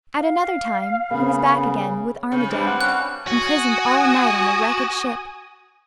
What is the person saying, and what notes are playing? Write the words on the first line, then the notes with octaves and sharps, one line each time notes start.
At another time he was back again with Armadale, imprisoned all night on the wrecked ship.
F5
C#3 B3 C#4 A#4 B5
C#3
G2 G3 C4
F#5
C#4 F#6
F#4 G#5 D#6